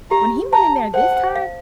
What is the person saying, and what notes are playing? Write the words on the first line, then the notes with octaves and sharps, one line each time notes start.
When he went in there this time,
G4 A#5
A5 A#5
C5 F#5
F5